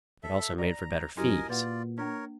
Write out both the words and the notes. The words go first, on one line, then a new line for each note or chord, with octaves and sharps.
It also made for better fees.
A4 E5
D5 A#5
F#2 E4 F#4 G4 A#4 D#5 G#5
A#2 F4 B4 D5 F#5
A#3 D4 A#4 C#5